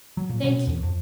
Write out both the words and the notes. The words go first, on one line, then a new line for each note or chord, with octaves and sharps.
"Thank you."
F#3
A#2
B2
E2
F2